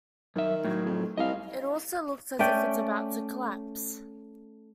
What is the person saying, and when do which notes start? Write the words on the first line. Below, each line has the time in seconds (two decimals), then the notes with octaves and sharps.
It also looks as if it's about to collapse.
0.36 F#2 D#3 E5
0.65 A2 F#3
0.86 F2
1.17 C2 D#5 F5
2.39 A3 C#4 D5 G5